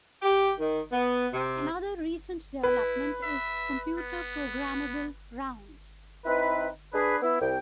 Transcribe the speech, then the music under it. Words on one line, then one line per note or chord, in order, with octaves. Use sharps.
Another recent development is computer programmable rounds.
G4
D#3
B3
C3
E4 B4
E5
B3
C4 D#4 E4 B4
D4 G#4 B4
B3 E4
C2 G5